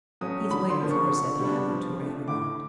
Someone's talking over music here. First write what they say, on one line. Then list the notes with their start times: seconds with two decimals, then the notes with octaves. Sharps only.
"He's waiting for us at the laboratory," I remarked.
0.21 F#3 A3 C#4 D#6
0.51 D3 B5
0.70 C6
0.80 F3 A#3 D4
0.91 C#6
1.10 D3
1.39 G3 B3 D4
1.69 F3
1.99 A3 D4
2.28 A2 D6